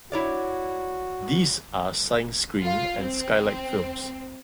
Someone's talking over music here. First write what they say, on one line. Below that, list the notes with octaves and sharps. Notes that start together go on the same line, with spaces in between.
These are Sine Screen and Skylight Films.
E4 F#4 C#5 D5
F4
C4